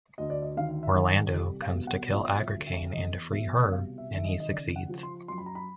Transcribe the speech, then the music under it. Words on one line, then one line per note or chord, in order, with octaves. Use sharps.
Orlando comes to kill Agricane and to free her, and he succeeds.
D2 D#5
D5
D#5
D#3 F5
E5
D#3
C2
F5
B2
F#5
F3 E5
E5
D2
E5
E2 D#5
B2 E5
C2 F5
E5
D#3 E5
D#5
D#5
C#3 D5
F#5
F3
C6
F#2 C6
B5
A#5
B5